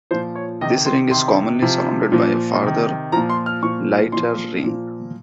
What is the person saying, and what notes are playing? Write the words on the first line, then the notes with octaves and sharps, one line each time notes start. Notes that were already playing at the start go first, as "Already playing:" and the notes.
This ring is commonly surrounded by a farther lighter ring.
A#2 F3 C5
C#5
C3 D#3 D#5
C6
C3 D#3 C6
C3 F3
A#2 F3
C3 D#3
A#2 F3 A#5
C6
F6
A#2 F3 C#6
A#2 F3 C6
A#2 F3